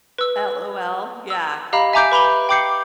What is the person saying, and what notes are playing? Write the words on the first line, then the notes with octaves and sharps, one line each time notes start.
LOL, yeah.
B4 E6
E6
G4 D#5 F5 A#5 B5
E5 G#5 A#5 D6 G6 D7
B4 B5 F7 G7
G5 B5 D6 G6 C7 C#7